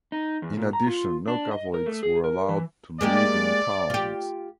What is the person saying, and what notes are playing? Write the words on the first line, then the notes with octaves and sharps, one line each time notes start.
In addition, no Catholics were allowed to live in towns.
D#4
E2
A#2
A#5
F4
D4
D#5
A#4
A3
G#4
A#4
E3
G#3 A#3 G4 D5
F4 G4